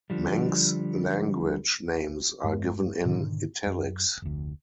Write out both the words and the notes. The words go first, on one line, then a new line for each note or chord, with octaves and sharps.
Manx language names are given in "italics".
D3 F3 G3
G2 G#3
G#2 B2 D3 D#3
F#2
F1 D2